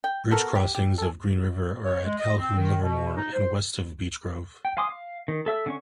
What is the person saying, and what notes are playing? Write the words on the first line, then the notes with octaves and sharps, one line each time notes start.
Bridge crossings of Green River are at Calhoun, Livermore and west of Beech Grove.
G5
B3 F#4 A4 A#4
G4
G4
A4 G#5
C#5
G#3
D#5
C4
D#3
B2
D#4
C5
G5
F5 G#5 C6 D6 D#6
F5
D#3
A4 E5 E6
D3 C#4 C#6